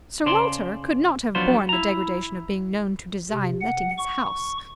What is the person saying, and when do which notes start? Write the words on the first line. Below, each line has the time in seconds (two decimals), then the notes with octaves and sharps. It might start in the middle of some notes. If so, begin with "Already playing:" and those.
Sir Walter could not have borne the degradation of being known to design letting his house.
0.26 C#3 C5 D5 A5 C6
1.35 F3 F#3 B3 D4 F4 C5
1.69 E4 A#5
3.30 C3
3.61 F#5
3.98 C#6